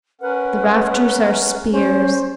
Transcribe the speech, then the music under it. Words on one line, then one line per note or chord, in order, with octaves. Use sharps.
The rafters are spears.
C#4 A#4 B4 F#5
C#4 C5